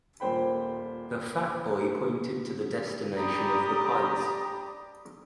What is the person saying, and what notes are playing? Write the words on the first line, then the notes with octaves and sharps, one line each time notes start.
The fat boy pointed to the destination of the pies.
D#1 A#2 C5 G5 B5
D4 G4 A#5 B5 D#6